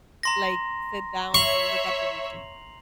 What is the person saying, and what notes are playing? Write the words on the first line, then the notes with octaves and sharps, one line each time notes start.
like, sit down and look at the receipt.
A#5 C6 A#6
C#5 E5 C#6 C7 F7 F#7